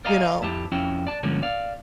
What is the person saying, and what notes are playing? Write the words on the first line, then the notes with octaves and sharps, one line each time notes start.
You know,
A#4 D5 D#5 F5 G#5 A#5
F2 E4 G4 A5
F2 C#4 E4 F#4 G5
D5 A5
G2 D3 F3 G#3 A#3 C#4
D5 F5